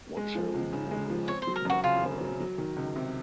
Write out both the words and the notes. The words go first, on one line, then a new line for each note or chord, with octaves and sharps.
What shall we do with that girl?
G#3
F3
C#2
C#3
G#3
F3
C4 C#5
C5
F#3
A#4
F#2 F#4
C#3 F4
C4
F#3
F#3
D#3
C#2
C3